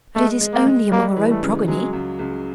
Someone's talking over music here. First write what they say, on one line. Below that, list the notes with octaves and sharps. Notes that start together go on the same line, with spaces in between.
'But it is only among our own progeny.'
G#3 A3
G#3
A#3
G#3
G3 A#3
E3
A3
C#3
F#3 G#3
C#2
C#2